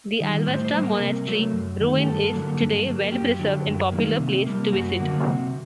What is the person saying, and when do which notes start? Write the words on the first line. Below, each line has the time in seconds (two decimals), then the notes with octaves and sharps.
The Alvastra monastery ruin is today well preserved and popular place to visit.
0.20 D#3 G3
0.47 A2 C5
0.65 C5
0.74 G3 A#3
0.83 A#4
0.99 C3
1.27 F#3 A3
1.53 F#2
1.80 D#3 A3
2.00 G4
2.06 G2 A4
2.33 D3 F#3 A#3
2.60 G2
2.86 F#3 A#3
3.12 F#2 G4
3.40 D3 F#3
3.65 F#2
3.92 D#3 G3 A#3
4.19 C3
4.46 G3 A#3
4.72 F#2 F#4
5.00 D3 F#3 A#3
5.26 C3